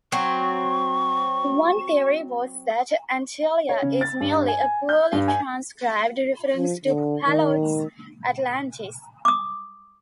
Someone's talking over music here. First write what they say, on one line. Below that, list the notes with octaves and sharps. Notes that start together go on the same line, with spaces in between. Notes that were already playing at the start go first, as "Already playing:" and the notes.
One theory was that "Antillia" is merely a poorly-transcribed reference to Plato's "Atlantis".
F#3 C4 C#6
C#5
C#3
A6
G2
G#5
G#5
G6
G2
G#5
F3
D3
D#3
D6 D#6